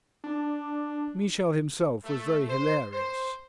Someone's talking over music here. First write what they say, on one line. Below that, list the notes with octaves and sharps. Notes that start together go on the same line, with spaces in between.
Michel himself was very hilarious.
D4
A3
C5
C5